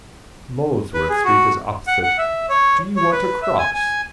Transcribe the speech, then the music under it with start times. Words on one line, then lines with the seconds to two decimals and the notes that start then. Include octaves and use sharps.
Molesworth street is opposite. Do you want to cross?
0.94 B4
1.09 G#4
1.24 F#4
1.87 F#5
2.03 F#5
2.18 E5
2.49 C#5
2.96 C#5
3.12 B4
3.42 E5
3.59 G#5
3.74 G#5